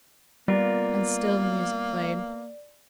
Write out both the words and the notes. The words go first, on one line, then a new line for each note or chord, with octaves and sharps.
And still the music played.
G3 A#3 B3 F4 A#4 D5